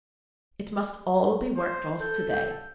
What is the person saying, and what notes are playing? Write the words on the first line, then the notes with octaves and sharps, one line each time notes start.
It must all be worked off to-day.
C5
A4 G6